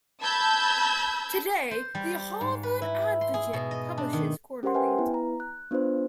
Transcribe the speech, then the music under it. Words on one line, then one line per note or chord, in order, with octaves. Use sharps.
Today, the "Harvard Advocate" publishes quarterly.
A5 B5 E6 G6 G#6
C5
G3
G#2
B4
E4
C6
G#4
B2
D#5
D4
D#3
C#4 G4 A#4 C5 F#5 C6
B4 E5 G5 G#5
B3 E4 B4
A#5
F#6
B3 D4 F4 B4 C5